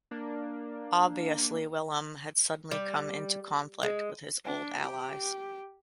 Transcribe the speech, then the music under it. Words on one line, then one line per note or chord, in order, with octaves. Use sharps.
Obviously Willem had suddenly come into conflict with his old allies.
A#3 D4
G3
G#3
D4
G4